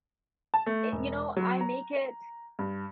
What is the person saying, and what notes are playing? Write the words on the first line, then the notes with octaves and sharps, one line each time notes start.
you know, I make it,
A5
A3
E1
F#3
A#5
G2